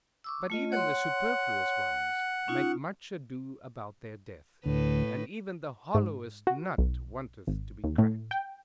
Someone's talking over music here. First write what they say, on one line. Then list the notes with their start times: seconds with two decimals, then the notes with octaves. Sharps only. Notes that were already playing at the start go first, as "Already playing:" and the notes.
But even the superfluous ones make much ado about their death, and even the hollowest nut wanteth to be cracked.
0.24 C#6 D6 E6
0.50 A3 F4 D#5
0.72 C#5 F#5 C6
2.48 C#4 D#4 F4
4.65 D2 A2 B4
5.95 G#2
6.47 F#4
6.78 B1
7.47 G#1
7.84 D#2
7.98 A2
8.31 G5